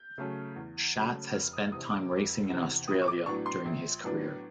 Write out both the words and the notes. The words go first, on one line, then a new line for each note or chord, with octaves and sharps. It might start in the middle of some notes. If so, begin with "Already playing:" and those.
Schatz has spent time racing in Australia during his career.
Already playing: G6
C#3 F#3 A3 C#4
E2
C#3 F#3 A3 C#4
F1 F6
D#6
E2 C3 D#6
D6
F1
E2 C3
A#1 D#6
C#6
D6
A2 F#3 B3 D4 C#6
C6
A#1
A2 F#3 B3 D4